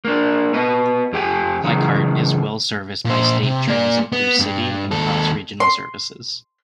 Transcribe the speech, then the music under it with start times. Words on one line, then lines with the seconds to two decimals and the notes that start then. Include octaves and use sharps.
Leichhardt is well serviced by State Transit through city and cross regional services.
0.05 A#3 D4
0.54 B3 B4 D#5
1.13 F2 G4 G5 G#5
1.64 C#3 E3 F#3 D#4
3.05 A#2 C5
3.43 C3
3.67 A#3 D5
4.12 B3
4.40 G2
4.91 D#2 A4
5.60 C6